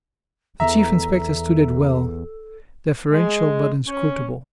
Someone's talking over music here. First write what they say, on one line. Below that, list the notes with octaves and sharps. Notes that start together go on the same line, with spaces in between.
The Chief Inspector stood it well, deferential but inscrutable.
E2 A4 E5 A#5
G#3
C#4